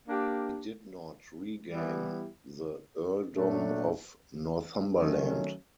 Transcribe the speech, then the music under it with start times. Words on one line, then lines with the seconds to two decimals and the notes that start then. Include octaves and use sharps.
He did not regain the earldom of Northumberland.
0.07 A#3 D4 G4
1.70 E3 G3 B3 E4 G4
3.33 A#2 F#3 A3 D4
4.96 D#3 F#3 A3 C#4